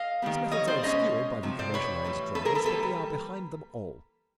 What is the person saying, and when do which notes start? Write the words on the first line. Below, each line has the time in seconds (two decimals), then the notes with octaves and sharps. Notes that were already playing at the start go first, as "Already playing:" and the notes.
These methods are obscured by the commercialized dramas, but they are behind them all.
Already playing: D#5 F5
0.22 D#3 G3 B3
0.51 C#5 D#5
0.67 C5 D5
0.82 B2 G#3 C#4 C#5 D#5
1.43 C3 F3
1.59 C5 D5
1.74 B4 C#5
2.04 A2 E3 G3
2.35 A4 B4
2.45 G#4 A#4
2.55 A4 B4
2.65 E3 G3 A#3 A4 B4